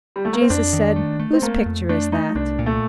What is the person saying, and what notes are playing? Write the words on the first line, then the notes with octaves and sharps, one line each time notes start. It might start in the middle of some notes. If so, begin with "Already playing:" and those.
Jesus said, "Whose picture is that?"
G3
A3
A#3
C4
F2 D4
D#3
A3
A3
C4
A3 A#3
F2
A3 D4
A3 D#4
C2 D4
A#2
A3